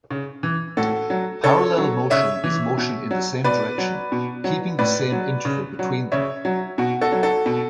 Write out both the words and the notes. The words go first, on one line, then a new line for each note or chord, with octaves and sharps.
Parallel motion is motion in the same direction, keeping the same interval between them.
C#3
E3
A2 F#4 A4
F#3
C#3 A4 C#5
F#3
C#3 C#5 E5
E3
B2
F#3
B2 B4 D5
F#3
B2
F#3
A2 B4 D5
F#3
C#3
F#3
C#3 C#5 E5
F#3
B2 F#4
F#4 A4
F#3
F#4 A4
B2